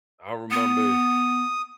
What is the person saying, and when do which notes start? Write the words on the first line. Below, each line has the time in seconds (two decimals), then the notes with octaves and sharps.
I remember
0.51 B3 D#6